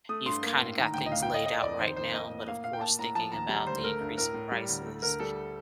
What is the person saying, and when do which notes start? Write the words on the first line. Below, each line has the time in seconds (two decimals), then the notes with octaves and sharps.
You've kinda got things laid out right now, but, of course, thinking about the increase in prices,
0.09 A3 D#6
0.26 G2 C6
0.43 A#3
0.60 A2
0.78 D#3 A#5
0.94 D2 G5
1.06 D#5
1.11 A2 F5
1.23 G5
1.28 A2
1.34 D#5
1.46 A3 D#5
1.62 F2 D5
1.79 D#3 C5
1.96 F2 C5
2.13 A#3 D#5
2.30 A2
2.47 A#3 F5
2.64 A#2 F5
2.73 G5
2.81 A#3 A5
2.99 A2 A#5
3.15 F3 A5
3.32 D#2 A#5
3.49 G3 A#5
3.67 D2 C5
3.84 A3 A#4
4.00 G2
4.17 A2 A#4
4.34 A2
4.52 G3
4.69 D2
4.86 A3
5.02 D2 A#4
5.20 G3 A4